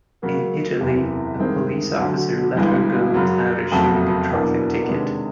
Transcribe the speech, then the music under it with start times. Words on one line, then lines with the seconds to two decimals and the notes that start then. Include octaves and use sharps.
In Italy, a police officer let her go without issuing a traffic ticket.
0.22 C#3 F#3 A#3
0.81 F#1 E2 C3 E3
1.39 G2 D#3 G#3 C4
1.97 D2 D3 F#3
2.55 G1 G2 E3 G#3
3.14 F#2 C#3 F#3
3.72 F#1 F2 C#3 F#3 A3
4.30 E2 B2 F#3 A#3 D4
4.88 C3 D#3 G#3 B3 D4